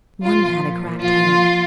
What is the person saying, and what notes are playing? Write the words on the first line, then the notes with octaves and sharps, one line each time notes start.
One had a cracked head.
A#2 F3 F4
F4